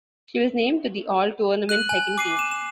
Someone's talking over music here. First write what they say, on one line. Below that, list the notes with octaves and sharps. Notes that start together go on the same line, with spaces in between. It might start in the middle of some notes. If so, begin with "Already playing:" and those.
She was named to the All-Tournament second team.
F#6 D#7 F#7
G#5
D6 C7 D#7
D#7 E7
E7